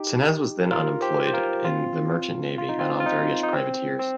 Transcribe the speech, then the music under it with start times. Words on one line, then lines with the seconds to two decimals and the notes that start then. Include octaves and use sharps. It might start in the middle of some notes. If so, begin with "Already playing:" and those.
Senez was then employed in the merchant navy and on various privateers.
Already playing: D#4 G4
0.71 F4 A#4
1.02 G4 C5
1.27 C5
1.33 F4 A#4
1.64 C4 F4
2.58 F4
2.69 D#4
2.80 C4 F4
3.00 F4
3.06 D#4
3.43 D#4
3.53 C4
3.99 C4